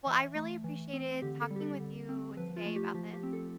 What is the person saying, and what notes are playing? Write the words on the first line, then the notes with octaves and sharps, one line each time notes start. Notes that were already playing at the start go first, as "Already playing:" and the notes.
Well, I really appreciated talking with you today about this.
E3 E5
A3
E3
C4
D3 G4
A4
G3
G4
A4
D3
C4
F3 B4
F4
A3
G4
F3 G4
G4
C4
A4